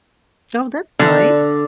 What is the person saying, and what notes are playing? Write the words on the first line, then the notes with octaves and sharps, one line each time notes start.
Oh, that's nice.
D3